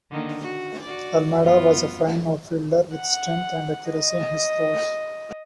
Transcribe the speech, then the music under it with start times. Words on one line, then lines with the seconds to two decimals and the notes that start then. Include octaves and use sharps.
Almada was a fine outfielder with strength and accuracy in his throws.
0.11 D3 D#3 A#3
0.40 F#4
0.82 F#4 D5
1.42 F#2 B3 F4
2.96 F#5
3.90 D#5